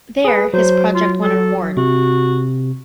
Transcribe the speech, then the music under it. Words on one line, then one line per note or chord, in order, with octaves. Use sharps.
There his project won an award.
G#4 B4
F#3 C5
F4
A4
C3 F#4